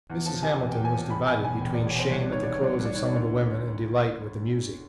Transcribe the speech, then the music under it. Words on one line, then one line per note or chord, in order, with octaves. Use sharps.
Mrs. Hamilton was divided between shame at the clothes of some of the women and delight with the music.
E2
F3 A5
C3 G#5
E2
G5
E2
G#5
F3 A5
E1 B5
B2 G#5
E2 G#5
E1 G5
D5
E1
C#5
B2
C5
C2 C#5
D5
D#3 C#5
C3 D5
C#5
C2 D5
C#5
C2
D5
D#3 C#5
D5
D2 C#5